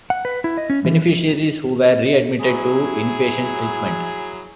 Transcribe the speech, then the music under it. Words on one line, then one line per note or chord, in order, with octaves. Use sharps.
Beneficiaries who were readmitted to inpatient treatment.
F#5
B4
E4
D#5
C#4
E3
F#3 E4 G#4